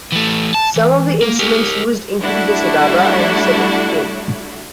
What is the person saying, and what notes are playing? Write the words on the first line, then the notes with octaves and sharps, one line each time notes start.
Some of the instruments used include the segaba and setinkane.
E3 A3
A5
E3
A#3
G4 A#4
G3 A3 D4 E4 F#4